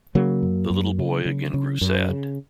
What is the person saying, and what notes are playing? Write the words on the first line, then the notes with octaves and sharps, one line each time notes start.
The little boy again grew sad.
C#3 F#3 A#3
F#2
F#2
C#3
C#3
C#3
F#2
C#3